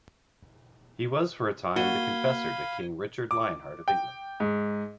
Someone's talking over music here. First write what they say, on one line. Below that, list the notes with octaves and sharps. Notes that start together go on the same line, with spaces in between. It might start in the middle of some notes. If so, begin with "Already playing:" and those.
He was for a time the confessor to King Richard Lionheart of England.
A#3 F#4 F5 B5 G#6 D#7 G7
D6
G5
G#2